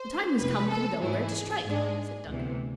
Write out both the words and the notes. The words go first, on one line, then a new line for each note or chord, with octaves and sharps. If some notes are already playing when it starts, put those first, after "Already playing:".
"The time has come for the Delaware to strike!" said Duncan.
Already playing: C5
F2 C3 E3 B3 B4
A4
G#2 E3 A3 E4 G#4
G#2 G#3 D4
D2 C3 E3 B3